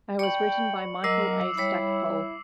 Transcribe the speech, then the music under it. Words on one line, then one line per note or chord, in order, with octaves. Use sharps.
It was written by Michael A. Stackpole.
D5 G5 B5 C#6 C#7 F#7
F#3 A#4 D#5 D6 E6 C7
G3 E4 C#5 B5